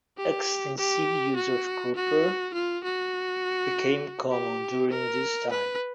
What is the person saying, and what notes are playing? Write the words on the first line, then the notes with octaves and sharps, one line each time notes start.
Extensive use of copper became common during this time.
G4
G4
F#4
F#4
F4
F#4
G4
A#4
B4